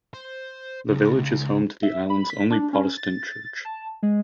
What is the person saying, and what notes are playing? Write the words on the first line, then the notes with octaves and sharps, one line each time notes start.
The village is home to the island's only Protestant church.
C5
C#2
E5
B5
B6
D4
C#4
A6
A5
G#3